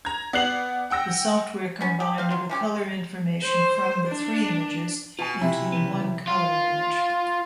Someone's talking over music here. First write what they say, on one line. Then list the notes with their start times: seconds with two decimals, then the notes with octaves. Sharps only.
The software combined the color information from the three images into one color image.
0.05 A#5 G#6
0.33 B3 D5 F#6 C7 F#7
0.90 F#5 G5 E6 A#6
1.81 B3 C#4
2.00 G4
2.18 C4 F5
2.31 F#3 F4
2.50 E3 C#4 G4
3.43 C5
4.08 D4
5.19 B2 F4 G#5
5.41 C3 E4
5.72 C#3 E3 B3
6.28 F4